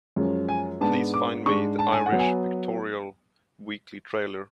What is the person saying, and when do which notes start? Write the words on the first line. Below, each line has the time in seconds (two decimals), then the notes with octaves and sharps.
Please find me the Irish Pictorial Weekly trailer.
0.16 F#2 F3 G#3 C#4
0.49 G#5
0.81 G#2 G#3 B3 D4 A5
1.14 D6
1.46 G#2 G#3 D4 C#6
1.79 A5
1.92 G#5
2.06 F#5
2.11 F#3 B3
2.19 G#5